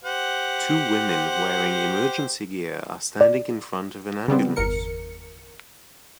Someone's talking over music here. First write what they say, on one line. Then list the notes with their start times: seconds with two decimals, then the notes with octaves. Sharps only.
Two women wearing emergency gear are standing in front of an ambulance.
0.04 G4 C5 F#5
3.21 D5
4.28 C#3 G3 B3 C4
4.56 G1 E2 A#4 C#7